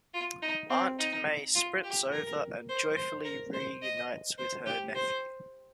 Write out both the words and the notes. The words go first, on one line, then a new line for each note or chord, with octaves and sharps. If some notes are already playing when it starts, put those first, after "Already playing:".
Aunt May sprints over and joyfully reunites with her nephew.
F4
D#4
C4
D#4
F4
G4
A#4
C5
C5
A#4
C5
D#5
C5
G4
C5